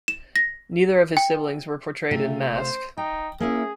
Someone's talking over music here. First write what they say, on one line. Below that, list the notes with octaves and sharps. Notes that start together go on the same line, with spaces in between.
Neither of his siblings were portrayed in "Mask".
E7
A#6
G5
C3 A3 F4
C5
D#4 G5
A#3 C#4 E4 G#4